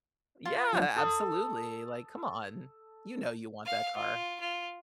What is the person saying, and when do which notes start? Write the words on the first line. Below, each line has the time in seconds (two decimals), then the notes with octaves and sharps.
Yeah. Absolutely. Like, come on. You know you want that car.
0.45 F4
0.73 F3 F#3 D4
0.96 A4 D#6
3.65 F5
3.97 F4
4.40 F4